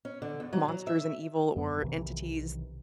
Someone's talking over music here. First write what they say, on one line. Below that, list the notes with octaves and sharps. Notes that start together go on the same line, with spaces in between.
m monsters and evil or entities,
C#4
D3
E2
F#3
F#3
E5
F#2 B3
B1 C3 D#3 E3